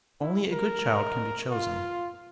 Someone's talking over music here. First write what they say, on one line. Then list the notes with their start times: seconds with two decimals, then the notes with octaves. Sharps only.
Only a good child can be chosen.
0.21 E4
0.53 A#4
1.52 F4